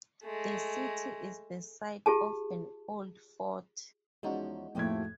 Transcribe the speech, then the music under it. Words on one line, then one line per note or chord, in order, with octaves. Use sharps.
The city is the site of an old fort.
G#3 A3
F4 G4 G#4 A5
E2 F3 G#3 C#4 D#4 F#4
F2 A2 F3 A3 A#3 G5 G#6